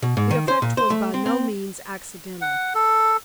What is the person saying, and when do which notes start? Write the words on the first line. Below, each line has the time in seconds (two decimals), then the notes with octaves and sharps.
The effect was by no means accidental.
0.02 B2
0.17 G#2
0.31 D#3
0.48 C5
0.62 A#2
0.77 C5
0.90 A3
1.14 C4
1.26 C4
2.41 F#5
2.75 A4